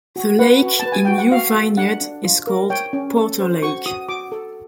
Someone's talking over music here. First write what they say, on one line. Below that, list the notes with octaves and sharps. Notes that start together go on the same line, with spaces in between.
The Lake in New Vineyard is called Porter Lake.
F#4
B4 F#5
F#4
A5
B4
G#5
F#4 G5
F#5
F#4 F5
A4
D4 F#5
D4
F4
A#4
C#5 G5
C#4
A4
C5
F#4 C#6
F#4 D#6
F#4 D6
A4